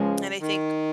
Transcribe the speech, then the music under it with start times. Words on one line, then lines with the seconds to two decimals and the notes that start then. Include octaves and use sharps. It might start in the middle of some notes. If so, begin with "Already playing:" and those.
and I think
Already playing: C#2 C#3 F3 G#3
0.40 D#3